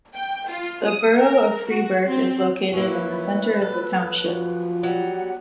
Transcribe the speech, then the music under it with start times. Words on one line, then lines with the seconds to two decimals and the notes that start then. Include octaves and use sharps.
The borough of Freeburg is located in the center of the township.
0.14 G5
0.47 F4
0.84 D#6
1.17 A#4
1.68 F#4
2.06 C4
2.73 F#3 A#3 C#4 E4 B4
3.61 A4
4.24 F#2 F3
4.83 F#3 G3 F#5